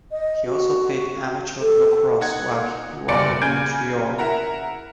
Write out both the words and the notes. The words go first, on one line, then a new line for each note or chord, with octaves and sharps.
He also played amateur lacrosse while he grew up in Montreal.
D#5
F#4
A4
D#4 F#5 G#6
F#1 E2 G3 D5 C#7 D7
C#3 G#5 G6 G#6 D7
E4 A#4 F#5 A#5